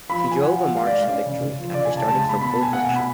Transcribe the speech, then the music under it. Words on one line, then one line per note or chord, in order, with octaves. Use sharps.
He drove a March to victory after starting from pole position.
F3 B5
F3
G#5
F3 F#5
F3
G#3 F5
D5
G#3
F5
C#4 D5
C#3
C#3
F3
C#3 D5
G#5
C#3
A5
G#3 A5
G#3 A5
B5
B2 B5
A5
B2
G#5
B2 F#5
G#5
B2
B5